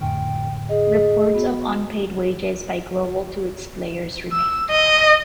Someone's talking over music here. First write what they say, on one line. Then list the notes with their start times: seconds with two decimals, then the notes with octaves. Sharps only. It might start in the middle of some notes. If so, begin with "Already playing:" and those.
Reports of unpaid wages by Global to its players remained.
0.01 F2 A2 D3 G5
0.69 G#4 D#5
1.34 B3 F#4
4.32 E6
4.70 D#5